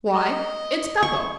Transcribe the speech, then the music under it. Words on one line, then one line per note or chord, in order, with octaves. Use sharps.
Why, it's Beppo.
D#5
C#6